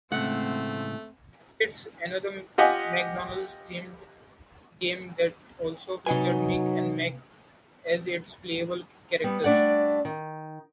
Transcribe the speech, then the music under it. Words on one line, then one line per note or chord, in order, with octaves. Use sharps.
Kids, another McDonald's-themed game that also featured Mick and Mack as its playable characters.
A2 C#3 G#3 A3 C4 F#5
F4 G4 D#5 F#5 G#5
C3 F#3 D#4 B4 D#5 G#5
G3 B3
G3 A3 D4 D5 F#5
D#3